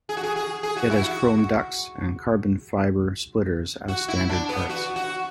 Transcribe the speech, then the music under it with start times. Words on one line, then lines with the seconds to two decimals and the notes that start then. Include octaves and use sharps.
It has chrome ducts and carbon fiber splitters as standard parts.
0.09 G#4
0.17 F#4
0.24 G#4
0.36 G#4
0.63 G#4
0.77 F#4
0.91 E4
1.04 F#4
3.88 F#4
4.08 E4
4.29 D4
4.49 B3
4.70 F#4
4.96 F#4